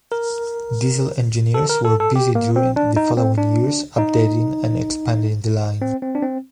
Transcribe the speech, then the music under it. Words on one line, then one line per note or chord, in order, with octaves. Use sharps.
Diesel engineers were busy during the following years updating and expanding the line.
A#4
A4
A#4
A4
A4
G4
A#3
C4
D4
D#4
C4
D4
D#4
C4
C4
D4
C4